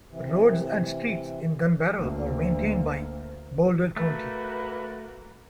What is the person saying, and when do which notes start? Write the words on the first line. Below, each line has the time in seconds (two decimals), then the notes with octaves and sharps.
Roads and streets in Gunbarrel are maintained by Boulder County.
0.11 C3 E3
1.99 D2 A#3
3.96 A3 A#3 F#4 B4